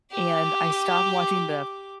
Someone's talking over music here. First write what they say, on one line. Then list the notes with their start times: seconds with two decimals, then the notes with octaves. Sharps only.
and, I stopped watching the f
0.11 G4 D6